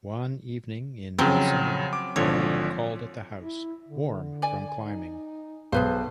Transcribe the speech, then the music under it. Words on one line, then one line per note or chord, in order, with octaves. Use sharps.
One evening in midsummer Miriam called at the house, warm from climbing.
F2 C#3 F#3 C4
D6
G#1 D3 F3 C#5
E4
D3
D5 G#5
D#4
B1 G#4 B4 C5